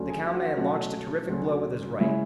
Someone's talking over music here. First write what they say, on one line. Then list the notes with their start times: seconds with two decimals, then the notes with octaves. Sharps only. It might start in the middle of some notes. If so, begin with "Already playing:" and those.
The cowman launched a terrific blow with his right.
Already playing: D2 D3 F#3 C#4
0.10 G#4 G#5
0.33 F#4 F#5
0.57 B2 F#3 A3 C#4 F#4 F#5
1.29 D2 C#3 F#3 C#4
2.00 C#3 G#3 C#4 E4 E5